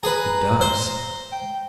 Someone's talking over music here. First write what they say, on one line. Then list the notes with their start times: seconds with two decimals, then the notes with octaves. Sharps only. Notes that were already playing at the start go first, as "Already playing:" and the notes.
"It does."
0.03 G#4 B4 A#5
0.61 C5
1.32 G5